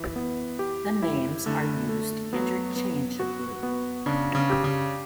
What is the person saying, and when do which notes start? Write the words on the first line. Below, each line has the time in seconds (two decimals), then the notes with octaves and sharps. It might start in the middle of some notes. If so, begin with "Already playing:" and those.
The names are used interchangeably.
Already playing: E3
0.16 B3
0.59 G4
1.02 E4
1.46 D3 A3
1.89 A3
2.33 F#3 B3
2.76 B3
3.19 F#4
3.63 B3
4.06 C#3 D4
4.35 C#3
4.50 G4
4.64 C#3